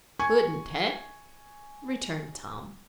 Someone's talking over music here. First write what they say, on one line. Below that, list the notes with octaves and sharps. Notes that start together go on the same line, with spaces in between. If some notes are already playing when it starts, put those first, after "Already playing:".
"Couldn't, heh?" returned Tom.
G#5 C#6 G#6